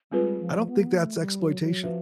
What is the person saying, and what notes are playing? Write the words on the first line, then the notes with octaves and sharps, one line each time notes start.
I don't think that's exploitation.
G3 G#3 C4 F4 G#4 B4
F3
B3
A#3
B3
A3
G3
F#3
F#3
F3 C#4 F#4 B4 E5